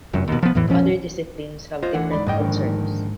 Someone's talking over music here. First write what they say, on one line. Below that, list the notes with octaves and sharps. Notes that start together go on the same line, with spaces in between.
Other disciplines have different concerns.
F1 F#2
D#2 B2
F3 B3
E2 A2 E3
E1 A#1 F3 C#4
F4 C5 D#5
D2 D3 E3 F#5
G#2 D5 B5
F#1 G#2 D#5 G5
A#1 D3 D#3